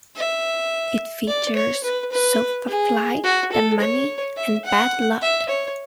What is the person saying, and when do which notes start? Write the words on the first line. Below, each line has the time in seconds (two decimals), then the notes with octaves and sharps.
It features Soopafly, Damani and Bad Lucc.
0.15 E5
1.27 D5
1.55 C#5
1.84 B4
2.12 B4
2.68 G#4
3.24 F#4
3.52 A4
3.80 C#5
4.37 E5
4.64 F#5
5.21 E5
5.49 C#5